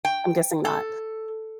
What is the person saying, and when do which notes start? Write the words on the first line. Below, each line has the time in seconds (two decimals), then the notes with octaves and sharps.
I'm guessing not.
0.05 G5
0.65 A4